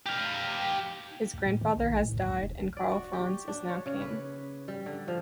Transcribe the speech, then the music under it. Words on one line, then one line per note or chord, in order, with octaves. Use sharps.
His grandfather has died, and Karl Franz is now King.
G4 F5
D2
A2
D#3
B1
A#1
A2
D#2
C#2
E1
D5
F#4
G4
D4
C#5
C#3
B4
G3
D3
F3